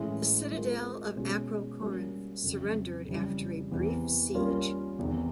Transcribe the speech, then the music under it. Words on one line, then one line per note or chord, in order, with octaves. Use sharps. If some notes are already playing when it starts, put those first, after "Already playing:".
The citadel of Acrocorinth surrendered after a brief siege.
Already playing: A2 E3 G#3 C#4 E4
G#3 C4 F4 A#4
B2 G#3 C#4 F#4
G3 A#3 C#4 F#4
F2 C#3 F#3
F2 C#3 E3 G3
E2 C3 E3
G3 A#3 C#4 F4 A#4
E2 C3 D#3